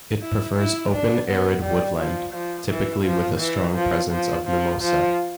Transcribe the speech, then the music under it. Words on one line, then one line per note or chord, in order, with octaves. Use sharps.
It prefers open arid woodland, typically with a strong presence of mimosa.
E4
E4
D4
B3
G3
F3
F3
E3
F3
E3
F3
F3
F3
F3